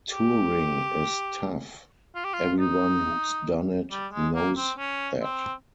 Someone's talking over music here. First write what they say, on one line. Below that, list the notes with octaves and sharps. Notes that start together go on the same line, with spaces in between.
Touring is tough; everyone who's done it knows that.
G4
F4
G4
F4
D#4
G3
G#3
A#3
C4
C#4
C4